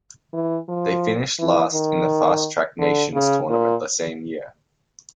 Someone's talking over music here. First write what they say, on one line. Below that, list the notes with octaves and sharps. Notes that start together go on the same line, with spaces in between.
They finished last in the fast-track nations tournament the same year.
E3
F3
E3
D#3
D3
C#3
A#2